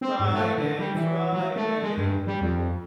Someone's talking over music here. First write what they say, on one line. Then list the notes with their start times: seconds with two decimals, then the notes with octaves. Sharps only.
Friday. Friday.
0.01 C4
0.19 G#2
0.33 A3
0.58 D3
0.79 G3
0.95 E3
1.33 F#3
1.56 A3
1.82 G#3
1.97 G2
2.27 G3
2.41 F2